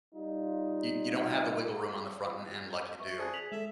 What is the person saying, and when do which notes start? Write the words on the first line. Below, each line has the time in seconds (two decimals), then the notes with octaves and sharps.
y you don't have the wiggle room on the front end, like you do,
0.15 G3 D#4 F4
3.00 B4 E5 C#6
3.18 G#4 C5 D5 A5 F#6
3.33 B6 F7 F#7
3.52 G#3 A4 E5